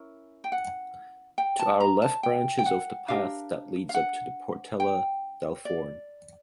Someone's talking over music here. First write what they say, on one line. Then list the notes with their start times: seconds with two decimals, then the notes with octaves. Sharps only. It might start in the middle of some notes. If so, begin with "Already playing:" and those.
To our left branches off the path that leads up to the Portella del Forn.
Already playing: C#4 E4 A#4
0.44 G5
0.52 F#5
1.38 G5
1.59 A5
1.80 A#5
2.02 A5
2.23 G5
2.59 G5
2.66 F#5
3.08 D4 G4 A#4 F5
3.89 F5
3.95 F#5
4.80 G5
5.65 D5